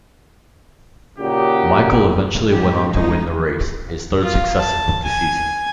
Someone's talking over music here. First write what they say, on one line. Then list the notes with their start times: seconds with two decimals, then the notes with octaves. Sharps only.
Michael eventually went on to win the race, his third successive of the season.
1.18 A#2 C#3 G3 D#4 F#4 G4
2.49 G#2 D3 E3 G4
2.91 F3 G#3 C#4 D#4
4.23 F4
4.58 A5
5.04 G#5